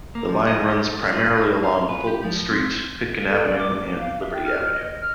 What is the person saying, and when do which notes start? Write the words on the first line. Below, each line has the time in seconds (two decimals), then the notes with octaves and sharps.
The line runs primarily along Fulton Street, Pitkin Avenue, and Liberty Avenue.
0.15 A#3
0.29 F3
0.47 D#5
0.68 D#4
0.89 A4
1.13 F4
1.37 D#4
1.64 F5
1.89 B4
2.07 G4
2.24 F3
2.51 C4
3.29 A4
3.45 D5
3.57 D6
3.73 D6
4.00 F5
4.20 E5
4.33 G5
4.45 F6
4.72 D#5
5.00 F6